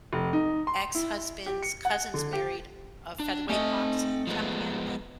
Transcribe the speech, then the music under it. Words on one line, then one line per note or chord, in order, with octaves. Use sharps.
ex-husband's cousins married a featherweight boxing champion,
F1
D#4
C6
E4
G4
C#7
F#5
D3
G4
D4
A3 C4 D#5 G#5
F3 G#3 B3